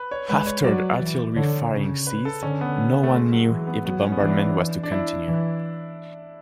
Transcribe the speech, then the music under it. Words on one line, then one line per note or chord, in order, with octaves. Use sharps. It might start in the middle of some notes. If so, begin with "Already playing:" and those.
After the artillery firing ceased, no one knew if the bombardment was to continue.
Already playing: B4
C#5
G#3 B4
C#5
F#3 D5
E3
D3 C#5
C#3
B4
A4
D3 C#4
B3
A3
G#3
F#3
E3 G#3
B3
F#3 B3
C#4
B3
E3 D4
D4
E4
E3